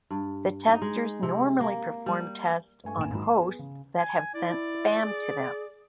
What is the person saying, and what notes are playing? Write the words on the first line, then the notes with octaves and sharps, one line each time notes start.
The testers normally perform tests on hosts that have sent spam to them.
G2
D#4
G#3
C3
A#3
G3
G2 A3 G#5 C#6
D#1 A1 D#2 G#5 E7
G#2 D#3 F#3
C6
B3 G#4
C#3
G#5
E4 D5
G#4